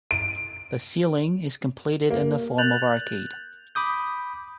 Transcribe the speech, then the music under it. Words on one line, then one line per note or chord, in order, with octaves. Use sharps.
The ceiling is completed in the form of arcade.
D7
A#3
F#6 G6 A6 F7 F#7
B5 D6 D#6 G6